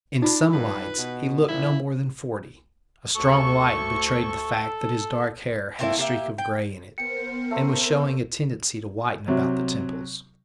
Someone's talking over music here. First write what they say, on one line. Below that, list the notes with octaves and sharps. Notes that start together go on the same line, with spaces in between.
In some lights he looked no more than forty: a strong light betrayed the fact that his dark hair had a streak of grey in it, and was showing a tendency to whiten about the temples.
D4 D#4 F4
G2 B4
B2
A#1 E4
D2 A4 C#6
A3 A#3 C4 E4
A#3 G4 E5
G5
B3 A#4 C5 G5 C#7
A3 C4 A#5
C3 F#3